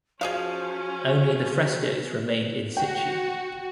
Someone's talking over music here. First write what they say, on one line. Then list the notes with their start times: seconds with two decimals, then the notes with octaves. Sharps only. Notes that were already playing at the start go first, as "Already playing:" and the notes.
Only the frescos remained in situ.
0.21 F3 C#4 F#4 G#4 D#5 F5
2.77 F#4 G5